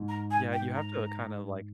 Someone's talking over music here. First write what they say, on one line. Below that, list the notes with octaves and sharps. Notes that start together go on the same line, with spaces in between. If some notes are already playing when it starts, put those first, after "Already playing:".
Yeah, you have to kinda, like
Already playing: G#2
A#5
G#5
G5
A#5